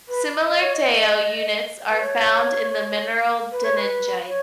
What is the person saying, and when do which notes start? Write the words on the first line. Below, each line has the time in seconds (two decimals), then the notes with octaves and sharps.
Similar TeO units are found in the mineral denningite.
0.08 B4
0.47 D#5
0.60 C#5
0.73 D#5
1.90 B4
1.99 C#5
3.51 B4
3.63 C#5
3.76 B4
4.27 C#5